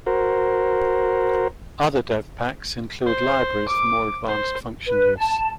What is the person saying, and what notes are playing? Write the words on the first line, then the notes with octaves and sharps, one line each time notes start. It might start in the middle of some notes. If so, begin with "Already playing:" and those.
Other DevPaks include libraries for more advanced function use.
F#4 A#4 C5
C5
D6
C5
B4
A5